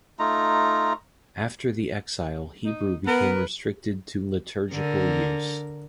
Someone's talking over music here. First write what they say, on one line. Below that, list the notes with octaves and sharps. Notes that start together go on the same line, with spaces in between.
After the exile Hebrew became restricted to liturgical use.
A3 D#4 F4 A#5
D#4
B3 A#4 B4
D3 A#4